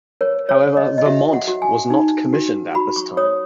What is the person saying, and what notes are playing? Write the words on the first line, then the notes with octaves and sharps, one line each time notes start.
However "Vermont" was not commissioned at this time.
A#4 C#5
C#5
C#5
D#5
D#5
F#4 E5
F#5
F#4
G#5
D#4
F#4
F#4 B5
C#6
C#5 D#6